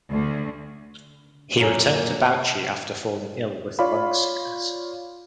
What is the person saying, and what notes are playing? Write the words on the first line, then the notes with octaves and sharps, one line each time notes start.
He returned to Bauchi after falling ill with lung sickness.
D2
F#2 A#2 A#3 C#4
F4 C#5 D5 F5 B5